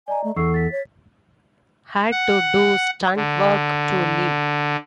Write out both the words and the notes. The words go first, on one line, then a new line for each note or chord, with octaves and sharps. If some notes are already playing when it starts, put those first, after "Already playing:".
Had to do stuntwork to live.
D5 D#5 G#5 A#5
A3
E2 A4 C#6 E6 C7
A6 B6
C#5
F#5
D3